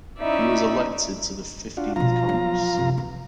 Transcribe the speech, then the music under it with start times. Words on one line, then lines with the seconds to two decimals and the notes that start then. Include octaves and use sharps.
He was elected to the Fifteenth Congress.
0.19 C#4 D#4 E4 D5 E5
1.77 D4 F4 F#4
1.96 B2 F3 D4 F4 A#5
2.29 F#3 B3
2.77 F#2 C3
2.98 E3